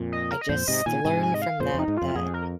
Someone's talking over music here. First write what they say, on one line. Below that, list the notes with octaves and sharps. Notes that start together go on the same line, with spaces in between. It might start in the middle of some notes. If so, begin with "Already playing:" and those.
I just learned from that that
Already playing: F2 A#2
D#5
A#4
D#5
F2 A#2 C5
G#2 C3 D#5
A#2 D#3 G#5
G#2 C3 G#5
G#5
D#5
F5
F2 A#2 C5
F2 D#4
G#2
F2 F4
F2 G#4
A#4